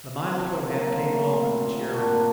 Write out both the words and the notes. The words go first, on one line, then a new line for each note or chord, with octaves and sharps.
The mild Kohen came often to cheer me.
C4
C3 D4
F#3 A#3 C4
C3
F#3 A#3
D3
A3
D3 C4
A3
A#2
G3 A#3
A#2 D4 F#4
G3 A#3